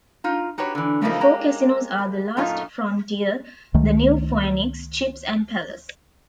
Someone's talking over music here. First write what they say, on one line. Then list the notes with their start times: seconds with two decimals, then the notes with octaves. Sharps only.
The four casinos are the Last Frontier, The New Phoenix, Chips and Palace.
0.24 D#4 F4
0.58 D#4 F#4 G4 B4 C#5
0.75 D3 E3
1.02 E2 C#3 F3 A3 A#3 D#4
1.21 G#3 A#3 G4 A#5
2.37 F#2 A#2 A3 D#4 F4
3.74 C#2 D#3 A3